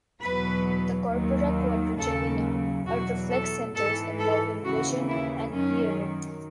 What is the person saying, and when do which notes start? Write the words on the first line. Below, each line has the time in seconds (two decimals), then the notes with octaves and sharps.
The corpora quadrigemina are reflex centers involving vision and hearing.
0.21 E2 B2 F#3 B4
1.10 D#2 D#3 F#3
1.98 D#2 C#3 F#3 A4
2.86 E2 B2 F#3 F#4
3.30 A4
3.75 G#2 E3 A4
4.19 A4
4.64 D#2 C#3 E3 F#4
5.08 E4
5.53 F#2 D#3 F#3 C#4